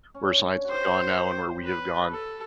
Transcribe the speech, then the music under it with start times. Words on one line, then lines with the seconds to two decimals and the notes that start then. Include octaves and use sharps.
where science has gone now and where we have gone,
0.14 C#4
0.24 D4
0.47 C#4
0.65 F#4
0.70 G4 C5
0.86 F#4
1.02 F#4
1.17 G4
1.65 B4
2.11 A4